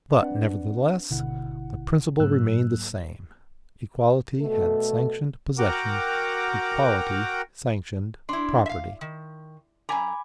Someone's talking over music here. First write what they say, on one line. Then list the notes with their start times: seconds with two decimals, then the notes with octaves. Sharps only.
But, nevertheless, the principle remained the same: equality had sanctioned possession; equality sanctioned property.
0.19 C4 D4 B4 D5 F#5
1.10 G#1 B2 D3 E4 F#5
2.20 G#2 F#3 A#3 E6 F#6
4.40 B2 A3 A4
5.58 F#4 A#4 F#5 G5 A#5 D6
8.29 D4 E4 C6
8.66 E5 F5
9.01 D#3
9.89 F#2 G#5 A#5 B5 D6